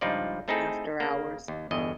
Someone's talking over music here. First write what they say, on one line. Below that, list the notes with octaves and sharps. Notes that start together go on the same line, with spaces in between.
after hours.
C#2 G2 F3 D#4 F4 D5
A3 C4 D#4 E4 G#4 A4
C#3 A#3
D#2
G1 E2 G2 D#5